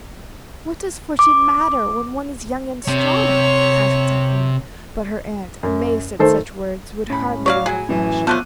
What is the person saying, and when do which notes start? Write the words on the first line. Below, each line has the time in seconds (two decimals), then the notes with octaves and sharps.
'What does fortune matter when one is young and strong?' asked Tephany, but her aunt, amazed at such words, would hardly let her finish.
1.19 D6
2.88 C3 C#5
5.63 F#2
6.19 D#3 A3 A4 C5
7.10 A2 C#4 B5
7.46 F#3 C#5 D5 F5
7.66 F#3 G#4 G#5
7.89 F#2 A2 E3
8.27 F3 F#3 A3 B3 A4 D6 F#6 D#7